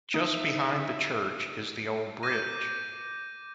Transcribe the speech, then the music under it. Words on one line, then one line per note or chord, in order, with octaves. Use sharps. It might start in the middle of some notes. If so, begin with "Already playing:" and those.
Just behind the church is the old bridge.
D#4 E5
D6 G6 A#6 D#7